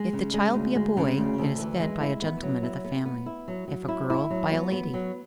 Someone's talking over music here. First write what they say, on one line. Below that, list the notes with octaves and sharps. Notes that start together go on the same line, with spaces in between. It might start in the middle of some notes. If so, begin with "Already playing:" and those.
If the child be a boy, it is fed by a gentleman of the family; if a girl, by a lady.
Already playing: G#3
C#3
G#3
D2
G#3
C#3
D2
D2
E3
G#3
E4
B3
F#3
E4
B3
B3
E4
F#3
F#3
E4
E4
F#3
B3
B3
F#3